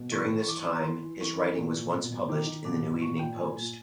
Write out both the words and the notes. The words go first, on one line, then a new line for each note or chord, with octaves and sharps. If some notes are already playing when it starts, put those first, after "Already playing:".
During this time, his writing was once published in "The New Evening Post".
Already playing: B2
E3 C#6
E3
C#6
E3 D6
C#6
E3 C6
A#5
E3 C6
E3
E3 C#6
E3
A#2
A#2
B2
B2
D#3 D6
D#3
B2 D6
B2
A#2 C#6
A#2 G5
A#2 G#5
A#2